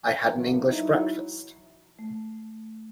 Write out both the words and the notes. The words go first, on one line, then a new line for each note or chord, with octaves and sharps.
I had an English breakfast.
D3 E3 F#3 A#3 B3 D4
F#3 D#4 E4
A3